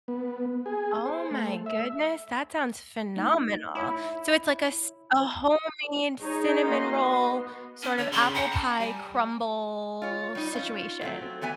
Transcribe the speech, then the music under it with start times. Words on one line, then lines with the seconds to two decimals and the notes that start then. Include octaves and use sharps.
Oh my goodness, that sounds phenomenal. So, it's like a s a homemade cinnamon roll, sort of apple pie crumble situation.
0.08 B3
0.66 G#4
1.06 C5
1.31 A3
1.66 E5
3.16 A3 D#4
3.75 E4 C#5 B5
6.21 D#4 G#4 C#5
6.66 A#3 F#4 D#5 C6
7.06 B3
7.83 C#4
7.98 D3 C#5
8.12 C#3 C6
8.34 F#5 G5 A#5 B5
8.52 A5
8.80 G3 G#5
10.02 F4 C#5
10.35 G3 D#4
10.55 C#4 F4
11.01 F#3 A3 C4
11.41 E3 A3 B3 G#5